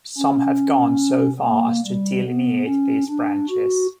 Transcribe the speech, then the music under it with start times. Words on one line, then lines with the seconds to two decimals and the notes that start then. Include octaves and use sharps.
Some have gone so far as to delineate these branches.
0.18 C#4
1.43 A#3
1.85 G3
2.25 B3
2.66 C#4
3.09 D4
3.49 F#4